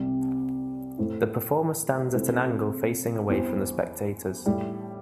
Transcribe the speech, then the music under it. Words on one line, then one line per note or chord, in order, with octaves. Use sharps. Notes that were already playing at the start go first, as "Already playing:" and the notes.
The performer stands at an angle facing away from the spectators.
Already playing: C2 C3 G3
A2 A3 C4 E4
C3 A3 C4 E4
E2 E3 C4 E4
A2 G3 E4